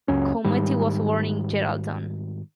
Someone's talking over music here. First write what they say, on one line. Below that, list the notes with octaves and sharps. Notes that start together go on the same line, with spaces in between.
Cometti was born in Geraldton.
F#1 C#2 F#2 C#4
G#2 D#3 G3